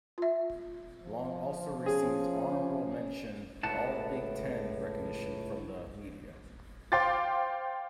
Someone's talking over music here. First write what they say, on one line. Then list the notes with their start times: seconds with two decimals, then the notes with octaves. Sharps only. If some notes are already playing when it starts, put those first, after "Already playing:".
Long also received honorable mention All-Big Ten recognition from the media.
0.18 F4 E5
1.03 F3
1.86 C#4 G#4
3.63 C#2 A2 F#5 A5
6.92 C5 F5 G5 C6 D6 A6